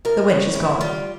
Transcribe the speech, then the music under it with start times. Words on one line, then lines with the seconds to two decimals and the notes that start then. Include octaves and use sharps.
The wench is gone.
0.05 A2 A#4
0.30 C#4
0.55 A2 E4
0.81 G3 F4